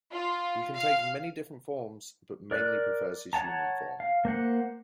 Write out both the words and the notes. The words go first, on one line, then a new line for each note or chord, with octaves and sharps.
He can take many different forms but mainly prefers his human form.
F4
F5
A#4 D5 F#6
C#5 F#5 A5 A#5
F5
A#3 C5 F#5